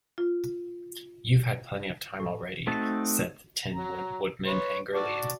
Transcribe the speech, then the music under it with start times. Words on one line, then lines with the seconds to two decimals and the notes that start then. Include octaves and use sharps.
"You've had plenty of time already," said the Tin Woodman, angrily.
0.18 F4
2.20 A2
2.67 A3 C4 D#4 F#4 A5
3.73 F#3 A#5
4.46 B4 C#5
4.95 F#4 D5 A5